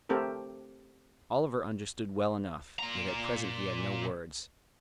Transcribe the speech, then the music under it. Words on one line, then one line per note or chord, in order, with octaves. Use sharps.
Oliver understood well enough, yet at present he had no words.
A3 C4 G4 A4 A#4
A#2 A#5